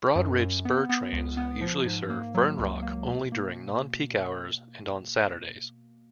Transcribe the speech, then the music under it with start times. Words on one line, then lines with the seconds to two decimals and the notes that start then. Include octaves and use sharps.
Broad-Ridge Spur trains usually serve Fern Rock only during non-peak hours and on Saturdays.
0.16 F#2
0.40 F#2
0.65 B3
0.89 B3
1.13 C#2
1.37 B3
1.61 F3
1.86 G#2
2.10 A#3
2.35 F#3
2.59 C#2
2.83 A#3
3.07 B2
3.32 A#3